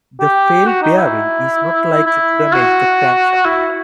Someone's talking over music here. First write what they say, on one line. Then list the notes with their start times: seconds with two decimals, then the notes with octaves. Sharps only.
The failed bearing is not likely to damage the crankshaft.
0.20 G4
0.66 F#4
0.82 D#4
0.98 E4
2.06 E4
2.53 F#4
3.45 E4